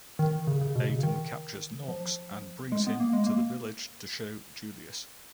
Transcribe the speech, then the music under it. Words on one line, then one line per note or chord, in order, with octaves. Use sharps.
Aiden captures Nox and brings him to the village to show Julius.
D#3
C#3
C#3
B2
C#3
D#3
F3
G#3
B3
A#3
G#3
A#3